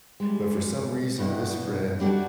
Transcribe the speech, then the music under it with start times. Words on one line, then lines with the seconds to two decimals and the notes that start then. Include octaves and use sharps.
but for some reason, this friend
0.20 G3 G#3
1.18 E2 G2 B2 E3
2.00 G3 D4 F#4 A4